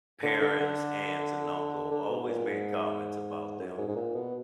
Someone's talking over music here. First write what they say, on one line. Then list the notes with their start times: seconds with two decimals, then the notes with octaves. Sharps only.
parents, aunts and uncle always made comments about them,
0.23 D3
0.41 D3
0.60 D3
1.91 D3
2.10 B2
2.24 B2
2.28 A#2
2.47 G#2
3.59 F#2
3.78 G#2
3.88 G#2
3.96 A#2
4.15 B2